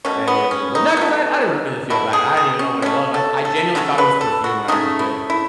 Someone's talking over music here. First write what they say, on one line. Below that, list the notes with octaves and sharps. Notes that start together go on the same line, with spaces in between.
Any of them, wel not 'cause I I didn't really feel bad, I didn't even know what it was, I I genuinely thought it was perfume when I was a kid,
B2 A3 C#4
B3
C#4
D#4
B2 A3
B2 A3 E4
G#4
G#4
C#4
B2 A3 C#4
A4
A4
C#3 F#3 A3 A4
B4
A4
F#4
C#3 F#3 A3 D#4
E4
E4